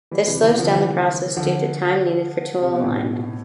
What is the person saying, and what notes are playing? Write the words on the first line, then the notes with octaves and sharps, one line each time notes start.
This slows down the process due to time needed for tool alignment.
E3 G3
C3 E3
C3 E3
D3 F3
E3 G3
D3 F3
C3
B2
A2
B2